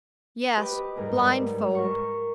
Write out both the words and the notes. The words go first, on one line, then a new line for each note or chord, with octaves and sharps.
Yes; blindfold.
G4 B4 D#5
G#2 G3 G#4 A#4
A#4 C#6